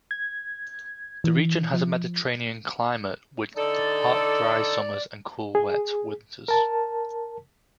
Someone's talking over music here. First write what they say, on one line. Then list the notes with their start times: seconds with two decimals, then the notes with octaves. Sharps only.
The region has a Mediterranean climate with hot dry summers and cool wet winters.
0.11 G#6
1.24 E3
1.73 F3
3.57 D3 D#4 A4 D5
5.55 G#4
6.48 A#4 A5